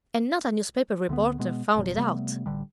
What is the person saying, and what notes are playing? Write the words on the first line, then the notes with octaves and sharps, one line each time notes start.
And not a newspaper reporter found it out!
D2 D3 A3 B3
B2 G#3 B3
F#1 B2 F#3
C3 G3 A3 B3
A1 D3 G3